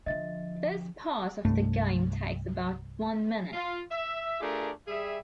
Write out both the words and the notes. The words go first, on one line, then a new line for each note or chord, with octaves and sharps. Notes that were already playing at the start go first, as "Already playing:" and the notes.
This part of the game takes about one minute.
D3 F3 D#5 E5 A6
C2 G2 A3
F4
E5
A3 D4 F4 G4 G#4 A#4
G3 G#4 E5